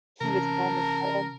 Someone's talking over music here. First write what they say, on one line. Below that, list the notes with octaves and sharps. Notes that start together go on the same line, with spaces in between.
he would fall on the floor.
C3 E3 C#4 A#4 A5